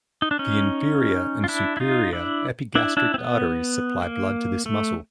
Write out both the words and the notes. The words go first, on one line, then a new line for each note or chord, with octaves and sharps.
The inferior and superior epigastric arteries supply blood to this muscle.
D#4
D4
C#4 D#4
F4
D4 E4
E4
D#4 F4
D4 E4
D4 E4
D4 E4
C4
B3
A#3
A3